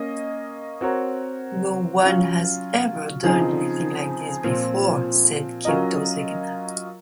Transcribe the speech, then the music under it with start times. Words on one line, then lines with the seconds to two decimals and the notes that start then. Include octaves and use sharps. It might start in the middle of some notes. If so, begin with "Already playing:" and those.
"No one has ever done anything like this before", said Gildo Zegna.
Already playing: A#3 C#4 D#5
0.81 C4 F#4 A#4 C#5
2.02 F#3 C#4 F4
3.23 C#3 F3 C4 D#4 G#4
4.44 A#2 F3 C4
5.65 F#3 C#4 F4 A#4 D#5